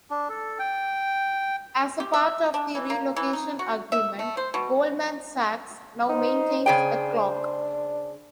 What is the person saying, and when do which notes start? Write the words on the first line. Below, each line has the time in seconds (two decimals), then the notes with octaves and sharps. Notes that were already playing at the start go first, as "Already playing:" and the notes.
As a part of the relocation agreement Goldman Sachs now maintains the clock.
0.10 D4
0.29 A4
0.59 G5
2.00 G4
2.14 E5
2.54 D4
2.75 E3
2.90 A#3
3.16 E3
3.33 D#4
3.59 F#4
3.92 E5
4.19 A3
4.37 C5
4.54 B2
6.09 D#4 C5
6.66 C#3 D4 G#4 G5